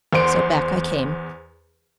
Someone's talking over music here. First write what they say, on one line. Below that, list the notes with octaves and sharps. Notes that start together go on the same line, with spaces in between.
So back I came.
E2 C5 F#5 C6 D7